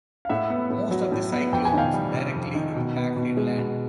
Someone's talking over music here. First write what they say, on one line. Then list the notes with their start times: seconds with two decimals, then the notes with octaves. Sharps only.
Most of the cyclones directly impacted land.
0.25 F5
0.29 A2 E5 F#5
0.50 B3
0.70 A2
0.91 F#3
1.12 A2
1.32 B3
1.53 F2 G5
1.65 G#5
1.73 D#3 F5 G5
1.94 G3
2.14 C3
2.35 F2
2.55 D#3
2.76 B2
2.97 B3
3.17 B2
3.37 G#3
3.58 B2